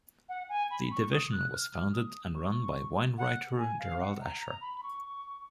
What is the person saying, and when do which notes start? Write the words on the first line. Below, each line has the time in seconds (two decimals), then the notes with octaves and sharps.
The division was founded and run by wine writer Gerald Asher.
0.29 F#5
0.49 G#5
0.71 B5
0.91 C#6
1.12 D#6
1.32 F#6
1.53 F6
1.93 D#6
2.34 C#6
3.18 F#5
3.58 G#5
3.79 F5
4.00 F#5
4.21 A#5
4.42 A#5
4.61 B5
4.78 B5
4.83 C#6